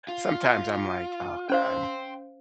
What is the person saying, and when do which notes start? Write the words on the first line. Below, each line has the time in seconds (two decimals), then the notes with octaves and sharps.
sometimes I'm like, "Oh, God."
0.08 F4
1.50 C#4 C5 F5 G5 C6